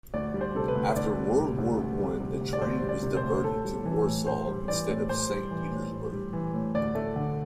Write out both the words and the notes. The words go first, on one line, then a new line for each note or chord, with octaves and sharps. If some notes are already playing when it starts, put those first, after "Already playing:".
After World War One the train was diverted to Warsaw instead to Saint Petersburg.
D2 D5
G3
C5
C3 A4
B4
D2
D2 D5
G3
C3
D2
D2
G3
C3
D2
D5
D2 C5
G3
D5
C3
C5
D2
A2 A4
G3
E3
A2
A2 C5
G3
E3 D5
A2
A2 C5
G3
E3
A2
A2
G3
E3
A2
D2 D5
A3
D3